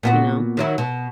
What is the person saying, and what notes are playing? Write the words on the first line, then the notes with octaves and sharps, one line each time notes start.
you know,
A#2 B3 F#4
D#3 F#3 E4
B2